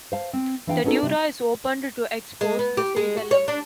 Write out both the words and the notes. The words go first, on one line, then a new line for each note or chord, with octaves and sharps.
The dura is opened to expose the cerebellum.
C5 F5 A5
C4
E3 D4 F5 G5
B3 C#4 D#4 F#4 A4
C3 G3
G#3
B3
G4
G#3
F#4
C#5
D4